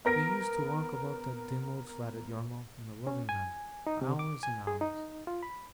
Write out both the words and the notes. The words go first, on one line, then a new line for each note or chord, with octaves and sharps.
We used to walk about that dim old flat at Yarmouth in a loving manner, hours and hours.
B3 A#4 A#6 D7
C#4
G#5
D#4
C3
D6
G#5
G#4
D#4
F4
B5